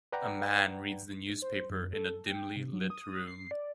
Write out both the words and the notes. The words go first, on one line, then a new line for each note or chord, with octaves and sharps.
A man reads the newspaper in a dimly lit room.
B4 D5 F#5 G5 A#5
C5
F#2
A4
G5
C3
F#3
D#6
C7
D5